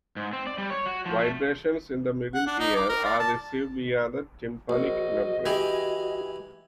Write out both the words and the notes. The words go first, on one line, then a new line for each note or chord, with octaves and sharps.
Vibrations in the middle ear are received via the tympanic membrane.
G#2
C4
D5
G3
C#5
F#4
F3
A3
F#5
D4
D#4
D6
A#4
D5
A5
A#1 F#4 D#5
E3 G4 G#4